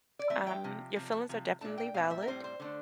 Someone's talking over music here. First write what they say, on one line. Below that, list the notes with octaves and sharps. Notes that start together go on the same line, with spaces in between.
Um, your feelings are definitely valid.
D5
E3 A3 C4 E5
G5
C3 F3
C3 F3
A5
C3 F3
A#2 A3 D4 A5
G5
A#2 A3 C4 F5
E5
A#4
A2 G3 C4 C5
C5
D3 A3 D4